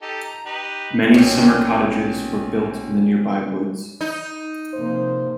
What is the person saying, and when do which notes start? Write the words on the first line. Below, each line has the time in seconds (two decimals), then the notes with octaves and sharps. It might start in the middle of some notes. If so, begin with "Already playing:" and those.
Many summer cottages were built in the nearby woods.
0.02 D#4 G4 A4
0.24 A#5
0.46 D#4 G4 B4
1.14 B1 A#2 C#4 G4
4.01 D#4
4.73 C3 F3 A#3 C5